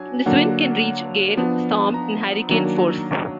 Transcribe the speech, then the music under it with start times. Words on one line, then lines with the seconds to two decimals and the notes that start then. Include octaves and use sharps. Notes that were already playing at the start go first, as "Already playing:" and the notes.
This wind can reach gale, storm, and hurricane force.
Already playing: F#3 D4 G#5
0.26 D3 F#3 A#3 D4 F#5
1.37 F3 B3 D4
1.94 A#5
2.49 D#3 F#3 A#3 D4 A#5